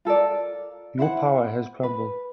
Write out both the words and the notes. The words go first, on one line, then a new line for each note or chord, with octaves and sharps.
Your power has crumbled.
F4 A4 A#4 D5
E4 C5 F#5
B4